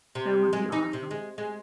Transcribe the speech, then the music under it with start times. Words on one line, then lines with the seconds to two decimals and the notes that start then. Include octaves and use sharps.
That would be awesome.
0.15 C3
0.53 G#3
0.72 D#4
0.93 C3
1.11 G#3
1.38 G#3